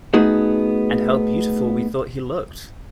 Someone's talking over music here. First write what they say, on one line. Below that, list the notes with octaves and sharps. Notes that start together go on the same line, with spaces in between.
And how beautiful we thought he looked!
A3 B3 D#4 F#4 G#4